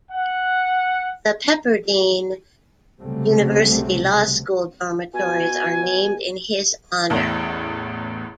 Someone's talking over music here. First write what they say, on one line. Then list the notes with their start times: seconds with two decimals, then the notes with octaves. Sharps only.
The Pepperdine University Law School dormitories are named in his honor.
0.12 F#5
3.01 C2 C#3 F#3 G3 A3 C4
5.14 B2 G#5
7.10 A1 E2 A2